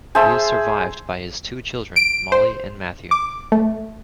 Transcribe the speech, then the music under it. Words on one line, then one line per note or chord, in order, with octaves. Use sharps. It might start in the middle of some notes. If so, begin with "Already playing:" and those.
He is survived by his two children, Molly and Matthew.
G#4 C5 E5 A5
D7
C5
D6
A3